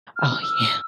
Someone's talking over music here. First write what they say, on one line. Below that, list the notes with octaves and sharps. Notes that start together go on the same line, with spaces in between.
Oh, yeah
F6
E6